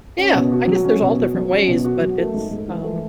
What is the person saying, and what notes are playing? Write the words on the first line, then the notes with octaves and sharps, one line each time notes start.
yeah, I guess there's all different ways, but it's, um,
C#4
B2
F#4
F#3
C#4
B2
F#4
F#3
C#4
B2
F#4
F#3
A3
G#2
G#2
E3
A3